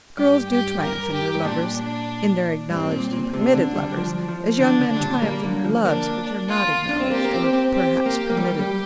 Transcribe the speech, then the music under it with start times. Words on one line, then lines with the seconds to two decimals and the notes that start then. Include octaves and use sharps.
Girls do triumph in their lovers,--in their acknowledged and permitted lovers, as young men triumph in their loves which are not acknowledged or perhaps permitted.
0.18 G2 G4
0.50 G4
0.81 A#4
1.13 G4
1.35 G2
1.44 A#2 D4
1.76 D4
2.70 G2 C4
2.91 A#2
3.13 A#2
3.33 C3 D4
3.55 D3
3.75 G3
3.97 F3
4.28 F3
4.59 D3 D4
4.80 D3
4.91 D4
4.97 G2
5.01 A#2
5.22 G3 A#3
5.44 D3
5.64 F3
5.85 A#3 D4
6.48 F4
6.89 D4
7.00 C4
7.11 A#3 G4
7.24 A#3
7.33 C4
7.53 C4
7.74 C4 G4
8.06 A#3 G4
8.30 A#3
8.37 G3 G4
8.59 G3